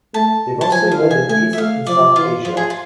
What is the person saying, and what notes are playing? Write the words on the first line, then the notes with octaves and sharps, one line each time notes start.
They mostly live in East and South Asia.
A3 A5
A5
F3 G#5
F5
E3
G#5
A3 G#5
E5
A3 F5
F3 D5
E3 F4
F3 F4
G#4
F4